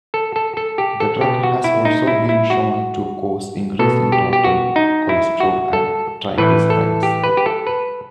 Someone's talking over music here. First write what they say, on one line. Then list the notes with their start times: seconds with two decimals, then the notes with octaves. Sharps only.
The drug has also been shown to cause increases in total cholesterol and triglycerides.
0.14 A4
0.36 A4
0.57 A4
0.78 G4
1.00 A4
1.21 B2 G4
1.43 F#4
1.64 E4
1.85 D#4
2.07 E4
2.29 E4
2.50 F#4
3.79 B2 A4
4.12 G4
4.33 G4
4.44 F#4
4.76 D#4
5.09 E4
5.40 F#4
5.73 A4
6.38 A2 E3 B4
6.70 A4
7.03 G4
7.24 B4
7.37 G4
7.46 A4
7.67 B4